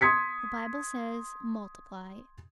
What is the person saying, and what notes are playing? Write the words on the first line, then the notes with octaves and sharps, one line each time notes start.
The Bible says: Multiply.
C6 D#6 G#6 B6 C#7